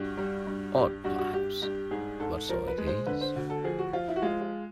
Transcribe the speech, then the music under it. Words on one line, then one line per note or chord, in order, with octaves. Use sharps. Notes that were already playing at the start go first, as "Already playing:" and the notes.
Odd perhaps, but so it is!
Already playing: G2 F#4
G3
G2
G2 G4
G2 F#4
F#4
G2 G4
G2 G4
G#2 G#4
G#2 A4
F3 A#4
B4
G#3
C5
D3 B4
C5
D2
A4
F3 G#4
F#4
F3 F4
E4
F#4
G#3 F4
F4